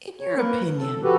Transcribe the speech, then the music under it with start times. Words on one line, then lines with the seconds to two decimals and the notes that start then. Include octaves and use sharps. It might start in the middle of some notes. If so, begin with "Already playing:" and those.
In your opinion,
0.21 C#5
0.37 A#3 A#4 B4
0.77 A4
1.03 F3 F#4 G4 A4 B4